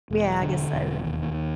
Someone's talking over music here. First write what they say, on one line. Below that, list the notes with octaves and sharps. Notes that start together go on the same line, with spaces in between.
Yeah. I guess so.
E1
D3
E1
D#2